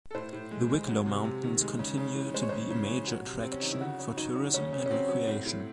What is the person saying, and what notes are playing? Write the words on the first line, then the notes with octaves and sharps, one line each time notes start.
The Wicklow Mountains continue to be a major attraction for tourism and recreation.
A4
A2 C5
A2
G#3
G#3
F#3
C3
C3
D#3
G#3
C#3
C#3
E3
G#3 C5
C#5
C#3 C5
C#3
E3
F#3
C3
C3 C4
C#4
D#3 D#4
E4
C#3 F#4
C#3
F#3 D#4
F#3
C#3 C#4
C#3
C#4
F#3 C4
F#3
A2
A2